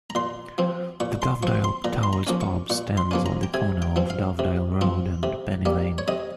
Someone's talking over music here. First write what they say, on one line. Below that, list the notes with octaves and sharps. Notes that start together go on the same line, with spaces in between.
The Dovedale Towers pub stands on the corner of Dovedale Road and Penny Lane.
A#5
A#2 C6
F3 C4
A#2 C#6
C6
F3 C4 C#6
C6
A#2 A#5
C6
A#5
F3 A#3 C#4
C#6
A#2 C#6
C6
F3 A#3 C#4
A#5
G5
C3 G#5
G5
F3 C4
F5
C3
F3 C4
C3
G3 A#3
C#5
C3 D#5